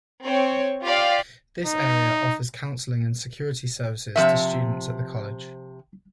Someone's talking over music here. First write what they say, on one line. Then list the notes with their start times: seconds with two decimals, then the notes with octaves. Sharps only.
This area offers counselling and security services to students and the college.
0.25 C4 C#5
0.85 F4 G4 D5 F5
1.66 D#4
4.16 C3 F3 E5